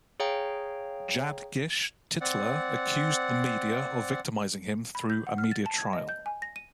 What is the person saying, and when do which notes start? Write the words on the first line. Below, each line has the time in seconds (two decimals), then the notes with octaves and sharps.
Jadgish Tytler accused the media of victimizing him through a media trial.
0.20 G#4 C#5 F5 G5 A#5
2.21 C4 D5 F#5
4.95 B5
5.10 G6
5.27 F#5
5.38 F6
5.51 A6
5.66 A5
5.78 G#6
5.93 D#5
6.09 G6
6.26 G#5
6.42 A#6
6.56 D#7